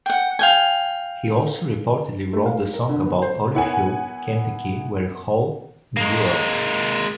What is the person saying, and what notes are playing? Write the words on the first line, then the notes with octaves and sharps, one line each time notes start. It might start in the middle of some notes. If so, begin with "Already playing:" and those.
He also reportedly wrote the song about Olive Hill, Kentucky, where Hall grew up.
F#5 G5
F5 G5 G#5
A3
F5
A#4
D3
B3
C5
B3 E4 A#4 C#5 F#5 G#5
G#3 A#3